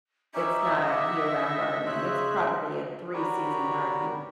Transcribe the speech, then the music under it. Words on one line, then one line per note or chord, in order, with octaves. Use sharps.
it's not a year round gardening. It's probably a three-season gardening.
C#4 D#4 G4 E5
D#5
G4 F#5
A4
C#3 C5 C#5 D#5 F#6
D4 F#4 G4 A#4 B4 C#5